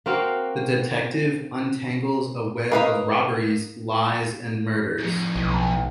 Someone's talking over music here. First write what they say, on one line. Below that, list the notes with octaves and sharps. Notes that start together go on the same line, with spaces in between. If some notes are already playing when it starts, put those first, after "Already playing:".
The detective untangles a web of robberies, lies and murder.
A#3 C4 F#4 F5
A#3 A#4 B4 D#5 F5
F2 A2
B1